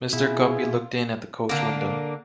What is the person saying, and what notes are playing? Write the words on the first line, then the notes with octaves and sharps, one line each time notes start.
Mr. Guppy looked in at the coach-window.
B2 E4 F4 G#4
D3 A#3